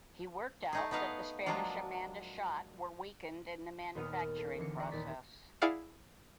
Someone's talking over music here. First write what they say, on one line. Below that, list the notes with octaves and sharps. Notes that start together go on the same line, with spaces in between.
He worked out that the Spanish Amanda shot were weakened in the manufacturing process.
A3 D#4 G#4
B3 D#4 B4 F5 F#5
F3 F#3 G#3 A#3 D4 F4
D#2 A#2 B3 D#6 F6 D#7
A4
D2 E3 C7 C#7
D5 A#5 C#6 D6
D#2 A#2 A6 B6
E4 G#4 D5 F5 F#5